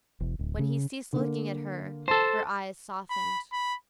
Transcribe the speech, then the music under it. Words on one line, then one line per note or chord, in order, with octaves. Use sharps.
When he ceased looking at her, her eyes softened.
E1
D1
C#3
D3 A#3
A4 C5 A5
B5
B5